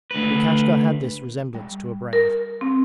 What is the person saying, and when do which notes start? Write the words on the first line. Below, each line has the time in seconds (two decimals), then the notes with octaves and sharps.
Lukashka had this resemblance to a brave.
0.11 D2 B4
1.55 G3
2.13 A#4
2.61 C4